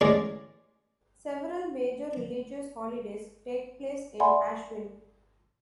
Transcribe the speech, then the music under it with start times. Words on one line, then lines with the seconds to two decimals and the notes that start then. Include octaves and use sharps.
Several major religious holidays take place in Ashvin.
0.01 A1 G#3 C#4 G#4 D5
4.20 D5 E5 F#5 G#5 B5 C6